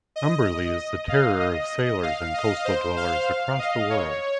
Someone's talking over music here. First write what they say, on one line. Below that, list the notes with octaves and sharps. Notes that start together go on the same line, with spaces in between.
Umberlee is the terror of sailors and coastal dwellers across the world.
D#5
F5
D#5
F5
D#5
C5
F5
D#5
C#5